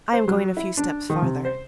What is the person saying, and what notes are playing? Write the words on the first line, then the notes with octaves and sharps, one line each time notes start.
"I am going a few steps farther."
C5
F#3
E4
D4
D#3
C3
C5